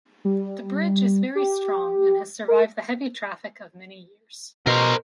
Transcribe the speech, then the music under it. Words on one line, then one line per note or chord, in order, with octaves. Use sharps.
The bridge is very strong and has survived the heavy traffic of many years.
G3
G4
A#4
B2 A#4 C5